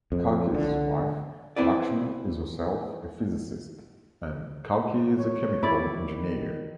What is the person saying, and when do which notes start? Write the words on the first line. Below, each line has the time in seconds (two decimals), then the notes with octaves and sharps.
Kalki's wife Lakshmi is herself a physicist, and Kalki is a chemical engineer.
0.12 F2
0.54 D3
1.56 C4 E4 B4 D5
5.19 C#5
5.63 E4 D5
5.95 D#3